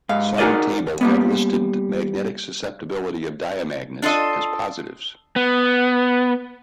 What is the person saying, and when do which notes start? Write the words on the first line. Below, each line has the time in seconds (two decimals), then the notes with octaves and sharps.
Some table have listed magnetic susceptibility of diamagnets as positives.
0.09 G#2 F5
0.38 D#4 F#4 G#4 A#4 D5 D#5
1.01 G3 A#3 B3
4.02 D4 F4 A4 D#5
5.36 B3